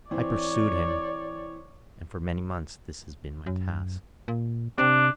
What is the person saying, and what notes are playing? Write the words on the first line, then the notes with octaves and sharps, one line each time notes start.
I pursued him, and for many months this has been my task.
E3 C4 C#5 D5
F#2
A#2
C3 D4